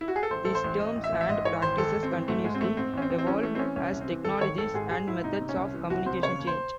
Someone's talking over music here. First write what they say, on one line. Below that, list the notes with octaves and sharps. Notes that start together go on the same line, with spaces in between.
These terms and practices continuously evolve as technologies and methods of communication change.
E4
F#4
G#4
A4
A1 C5
A1 A4
C5
A1
A1 D#5
A1
E5
A1
E5
G#2 D#5
E3 C#5
G#1 C5
G#1 A4
G#1
C4
E3
G#2 A3
G#2 G#3
C4
A1 A3
G#2 C4
A1 C#4
C4
A1
C4
E3 C#4
E3 A3
C4
E3 C#4
C2 C#4
C2
C4
E3
G#1 A4
D#3 C#5
G#1 A4
G#2 G#4
G#2 G#4
G#2 E4
C3 D#4
C3
C#4
C2
E3
C2 F#4
C3 C5
C#3 C#5
D#2
C5